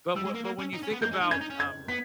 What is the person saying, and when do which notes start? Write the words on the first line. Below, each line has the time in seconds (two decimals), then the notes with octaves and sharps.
But wh but when you think about, um,
0.16 G3 E6
0.25 G#3
0.35 A#3
0.45 A#3
0.59 C#4
0.74 D#4
0.83 C#4
0.93 B3
1.02 A#3 G6
1.12 G#3
1.21 D#4
1.31 C#4 G#6
1.41 D#4
1.50 C#4
1.60 G#6
1.88 B3 B6